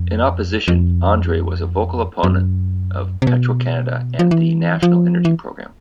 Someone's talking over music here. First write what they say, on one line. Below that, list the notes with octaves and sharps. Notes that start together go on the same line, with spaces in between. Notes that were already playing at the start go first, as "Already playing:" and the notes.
In opposition, Andre was a vocal opponent of Petro-Canada and the National Energy Program.
Already playing: F2
F2
F#2
C3
B2
F3
E3
F3
E3